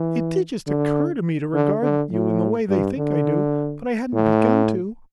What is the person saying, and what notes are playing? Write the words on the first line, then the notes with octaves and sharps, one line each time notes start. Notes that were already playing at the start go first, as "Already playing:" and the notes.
It did just OCCUR to me to regard you in the way they think I do, but I hadn't begun to.
Already playing: E3
D3
D3
D3
A2
G2
D3
A2